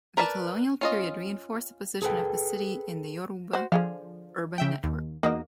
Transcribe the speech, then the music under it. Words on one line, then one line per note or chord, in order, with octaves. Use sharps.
The colonial period reinforced the position of the city in the Yoruba urban network.
A#4 B4 D5 E5 A5
C#4 F4 D#5
G#4 A4 B4 G5
F#4 C5
D3 F3 G#4 F5
C#3 E5 G5
D#2
E2 A#3 D#4 F#4 D#5